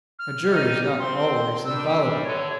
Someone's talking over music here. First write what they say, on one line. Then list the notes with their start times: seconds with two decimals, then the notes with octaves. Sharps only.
"A jury is not always infallible!"
0.19 F6
0.50 D#4 G4
0.99 C4 C6
1.65 G3 D4 E6
2.24 D3 C#5